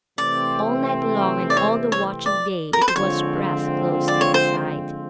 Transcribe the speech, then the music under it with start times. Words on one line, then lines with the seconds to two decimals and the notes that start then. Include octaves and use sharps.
All night long and all the watching day it was pressed close to his side.
0.18 C3 E3 A3 C4 D5
1.50 D5
1.57 C#5
1.92 C#5
2.26 D5
2.73 A#4
2.81 B4
2.88 C5
2.95 D3 F3 G#3 C4 F4 C#5
4.08 D5
4.21 C#5
4.34 C5